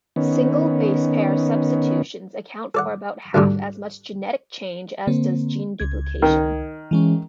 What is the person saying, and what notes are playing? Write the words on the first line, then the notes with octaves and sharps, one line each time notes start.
Single-base-pair substitutions account for about half as much genetic change as does gene duplication.
D#3 B3 C#4
A4 D5 F#5
D2 G#2 D3 G3
D3 A#3 C4
C#2 G#6
D#3
E3 G#3 C#4